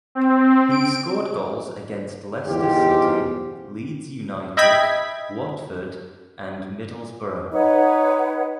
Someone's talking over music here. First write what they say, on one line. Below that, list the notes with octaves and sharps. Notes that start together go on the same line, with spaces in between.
He scored goals against Leicester City, Leeds United, Watford and Middlesbrough.
C4
D7
E2 G#2 F4 G4
D#5 E5 G5 B5 G#6 B6
D#4 B4 C#5 F#5